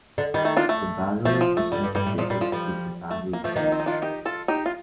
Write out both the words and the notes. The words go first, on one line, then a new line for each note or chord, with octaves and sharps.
The barrel is integrated with the barrel breech.
D3
D#3 G3
A3
D4 F4
A3
F3 A3
F3
A3
D3 G3
G2
G2 G3
A2
A#2 F3
A#2 G3
D3 F3
F3 G3
A3
A#3
F3 A3
D#3 A#3
C4
D#4
D4 F4
D#4 G4
F4 A4
D#4 G4
F4